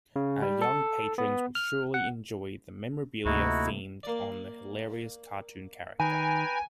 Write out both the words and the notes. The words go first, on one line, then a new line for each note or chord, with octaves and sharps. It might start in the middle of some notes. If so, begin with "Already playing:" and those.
Our young patrons will surely enjoy the memorabilia themed on the hilarious cartoon character.
C#3
G3
A4
B3
F6
F#5
D2 C3 A3 A#3 D#4 E4 F#4
A#3 D5
D#3 B4 G5 G#5 A#5